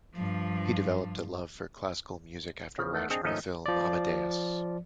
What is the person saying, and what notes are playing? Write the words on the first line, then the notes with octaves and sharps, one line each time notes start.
He developed a love for classical music after watching the film "Amadeus".
G2 F3
C#3 F3
D#3 A3 B3
C4 D4 G#4 D#5
G#1 F3 A3 C#4 D#4 D#5
F3 D5